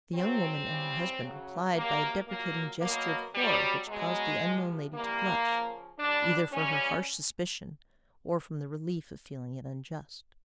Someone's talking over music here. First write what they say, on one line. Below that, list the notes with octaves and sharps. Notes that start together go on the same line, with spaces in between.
The young woman and her husband replied by a deprecating gesture of horror which caused the unknown lady to blush, either for her harsh suspicion or from the relief of feeling it unjust.
C#3 F#3 C4
C#3 E3 G3
C#3 F#3
C3 D#3 F#3 A#3
A#2 F#3 A#3
B2 F#3 A#3
B2 F#3 G3
B2 F#3 G#3
C3 F3
C3 E3 G3 A#3
C#3 F3
A2 E3 G3 D4
C#3 E3 G3 C#4